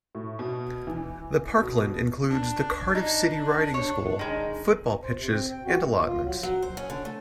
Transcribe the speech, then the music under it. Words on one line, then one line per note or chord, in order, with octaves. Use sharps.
The parkland includes the Cardiff City Riding School, football pitches and allotments.
A2
B2
E3
B2
D4
D#4
C#5
D#3 G#3
C5
C3
C4
G5
F#4
G#2
F#2
F4
F#3
F#3
C5
C#4
D3
A3